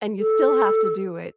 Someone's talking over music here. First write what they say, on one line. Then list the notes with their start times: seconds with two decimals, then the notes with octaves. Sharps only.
and you still have to do it,
0.19 A4